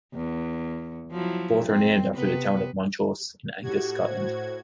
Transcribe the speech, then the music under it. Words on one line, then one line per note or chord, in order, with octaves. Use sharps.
Both are named after the town of Montrose in Angus, Scotland.
E2
F3 F#3 E4
C4
C3 B3 B4
A2 F#4 G4 G#6
C5